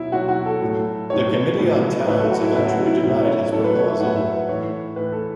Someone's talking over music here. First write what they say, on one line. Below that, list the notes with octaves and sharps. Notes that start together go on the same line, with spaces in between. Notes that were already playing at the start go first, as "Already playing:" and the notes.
The Committee on Towns eventually denied his proposal.
Already playing: B2 F#3 E4
B2 F#3 F#4
F#4
A4
A2 F#3
A2 F#3 C#5
A2 F#3
A2 F#3 B4
A4
F#4
E4
A2 F#3 E4
F#4
E4
A2 F#3 E4
C#4
E4
A2 F#3 A4
B4
C#5
E5
A2 F#3 F#5
E5
B4
A2 E3 C#5
A2 E3 B4
A4